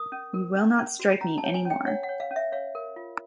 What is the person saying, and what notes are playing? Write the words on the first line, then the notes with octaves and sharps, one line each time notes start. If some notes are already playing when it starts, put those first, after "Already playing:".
You will not strike me anymore!
Already playing: A#4 D#6
C#4
A#4
C#4
C#4
F#4
C#4 A#5
A5
C#5
G#5
C#4
G5
C#5 F#5
F#5
C#5
F5
C#4
E5
C#5 F5
A#4
F4